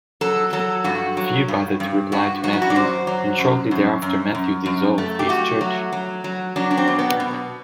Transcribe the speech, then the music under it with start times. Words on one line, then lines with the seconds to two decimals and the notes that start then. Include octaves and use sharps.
Few bothered to reply to Mathew and shortly thereafter Mathew "dissolved" his church.
0.21 F#3 A4
0.53 F#3 A4
0.84 G2 F#4
1.17 F#3
1.48 G2
1.80 G2
2.12 G2 F#4
2.44 F#3 F#4
2.53 E4
2.62 F#4
2.70 D5
2.75 F#2 C5
3.07 F#3
3.39 F#2
3.71 F#2
4.02 F#2
4.35 F#2
4.66 F#2
4.98 A3
5.19 G4
5.29 A3 F#4
5.61 F#3
5.92 F#3
6.24 F#3
6.56 F#3 D4
6.71 D4
6.77 C4
6.87 B2
6.99 B3
7.20 B2